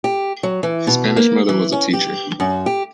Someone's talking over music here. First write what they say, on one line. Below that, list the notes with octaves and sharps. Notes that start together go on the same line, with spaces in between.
His Spanish mother was a teacher.
G4
F#3
E3
B2
A#3
E3
C#4
G4
F#2
G4